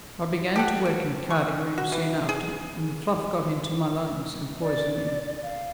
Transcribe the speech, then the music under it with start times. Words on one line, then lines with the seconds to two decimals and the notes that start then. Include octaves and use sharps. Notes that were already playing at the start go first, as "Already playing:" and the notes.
I began to work in a carding-room soon after, and the fluff got into my lungs and poisoned me.'
0.56 G4 A4 F#5
0.85 A#3
1.30 C#6
1.78 F#4
1.92 E3
2.29 G#4
4.61 D5
5.43 F5